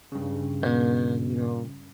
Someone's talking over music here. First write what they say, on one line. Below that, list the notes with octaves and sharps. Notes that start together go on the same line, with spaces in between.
and, you know,
G2 C#3